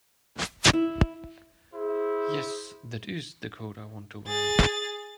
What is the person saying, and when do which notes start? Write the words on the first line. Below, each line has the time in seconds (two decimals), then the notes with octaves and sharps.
Yes, that IS the coat I want to wear.
0.73 E4
1.73 E4 G#4 C5
4.27 G#4 A6